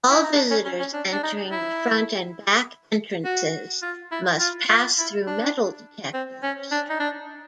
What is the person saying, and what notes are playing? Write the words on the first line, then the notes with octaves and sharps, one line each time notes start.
All visitors entering the front and back entrances must pass through metal detectors.
E4
D#4
D4
C#4
C#4
C#4
D4
D4
D#4
E4
F#4
F4
E4
F4
F4
E4
D4
C4
C#4
D4
D#4
D4